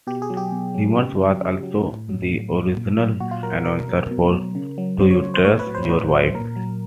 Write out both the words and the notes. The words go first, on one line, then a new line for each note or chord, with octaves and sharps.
Reimers was also the original announcer for Do You Trust Your Wife?
B2 G4
G#4
F#3
G4
B2
F#3
C#3
F#3
C#3
F#3
A2
F#3
A2
F#3
A#2
F#3
A#2 F#4
F4
F#3 A#4
B2 A#4
F#3
B2
F#3
C#3
F#3
C#3 C5
C#5
F#3
C5
A2 C#5
B4
F#3
C5
A2 B4
F#3
A#2 A#4
F#3